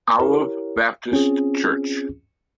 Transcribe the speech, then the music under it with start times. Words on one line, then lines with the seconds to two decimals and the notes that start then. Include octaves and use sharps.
Olive Baptist church.
0.18 E4 G4 A#4 C#5
1.12 C4 C#4 F4 G#4